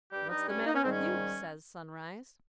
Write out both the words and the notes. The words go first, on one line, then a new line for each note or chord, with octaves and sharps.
"What's the matter with you?" says Sunrise.
G2 G3 G4
D#4
C#4
D#4
C#4
G#2 D#3 G3 C4
C#4